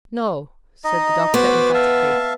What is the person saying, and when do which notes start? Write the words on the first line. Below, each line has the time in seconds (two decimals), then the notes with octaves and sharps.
"No," said the doctor emphatically.
0.84 D#4 D#5
1.34 B3 F#4 C5 D6
1.74 E5 F5 A5